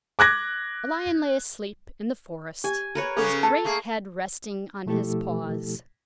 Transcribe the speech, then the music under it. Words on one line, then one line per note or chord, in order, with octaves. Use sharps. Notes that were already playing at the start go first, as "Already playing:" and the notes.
A Lion lay asleep in the forest, his great head resting on his paws.
D6 F#6 G#6 A#6
G4 G#5
A#4 B4 C#5
C#3 B3 C#4 G#4 A4 C#6
A4 A5
A3 A#3 G#4
B2 F3 A3 E4 G4 A4